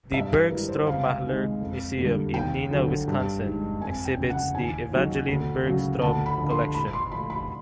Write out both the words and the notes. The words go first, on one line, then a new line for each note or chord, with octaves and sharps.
The Bergstrom-Mahler Museum in Neenah, Wisconsin, exhibits the Evangeline Bergstrom collection.
G2 E5
B4
E3 G3 A#4
C5
C#2 F5
C3 D#3 G#3
F2
D3 G3 A#3
D#2 G5
D3 F#3
G2
D#3 G#3
F2 G#5
G5
C#3 F3
F#5
D#2 G#5
D#3 F#3 A#3
D2
C#3 F#3
D2 A5
B5
D3 F3
C6
A#2 B5
B5
C6
F3 A3 B5
B5